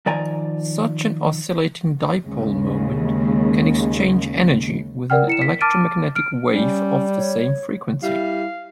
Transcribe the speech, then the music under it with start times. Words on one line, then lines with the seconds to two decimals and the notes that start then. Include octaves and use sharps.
Such an oscillating dipole moment can exchange energy with an electromagnetic wave of same frequency.
0.06 D#3 F3 D5 G#5 A#5
2.25 D#2 C#3 G#3
5.10 A#4 D5 F#5 G5 F6
5.27 E4 C#7 E7
5.42 B6
5.61 A5 D6 F6 A6 D7 D#7
6.15 F6 D7
6.50 G3 C#4
7.16 C#5
8.03 G3 E4 F5